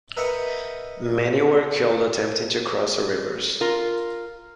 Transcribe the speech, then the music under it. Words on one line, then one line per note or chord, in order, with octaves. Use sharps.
Many were killed attempting to cross the rivers.
A#4 B4 D#5 E5 F#5 G5
F4 A#4